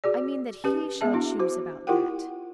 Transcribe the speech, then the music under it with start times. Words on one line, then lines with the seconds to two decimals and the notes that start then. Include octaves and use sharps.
"I mean that he shall choose about that."
0.04 F#4 G#4 D5
0.64 C#4 G4 B4
1.01 B3 G#4 E5 A5
1.13 D4 E4 F#4
1.40 F#4 C5
1.87 E4 F4 G4 A#4 F#5 G5